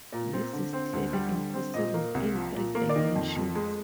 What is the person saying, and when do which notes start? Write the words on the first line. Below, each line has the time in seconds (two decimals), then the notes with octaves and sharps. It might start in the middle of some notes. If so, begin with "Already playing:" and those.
This is clearly impossible in three dimensions.
0.13 A#2
0.33 C4
0.53 D3
0.73 C4
0.93 D2
1.13 G3
1.34 D3
1.54 C4
1.74 A#2 D#5
1.94 A#3
2.14 C2
2.35 F3
2.55 A#2
2.75 A#3
2.89 D5
2.95 D#3 D#5
3.15 F2
3.36 F2
3.55 G#3